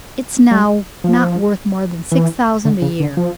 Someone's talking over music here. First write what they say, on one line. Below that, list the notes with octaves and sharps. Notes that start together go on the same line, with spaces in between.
It is now not worth more than six thousand a year.
G3
F3
E3
D3
C#3
D3
F3